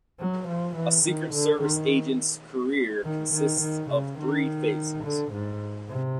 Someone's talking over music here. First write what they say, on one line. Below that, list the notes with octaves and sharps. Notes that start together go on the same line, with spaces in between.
A Secret Service agent's career consists of three phases.
F#3
F3
E3
D#3
D3
D#3
D#3
D#3
D#3
C#3
D#3
D3
G#2
C3